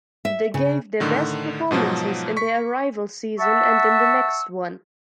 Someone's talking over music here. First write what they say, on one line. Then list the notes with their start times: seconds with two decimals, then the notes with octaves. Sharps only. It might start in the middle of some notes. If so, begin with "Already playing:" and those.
They gave their best performances in their arrival season and in the next one.
0.25 E5
0.54 C#3
1.00 A2 D3 D#3
1.71 G#2 B2 F3 F#3
2.37 C#6 B6
3.39 E5 F#5 A5 C#6 E6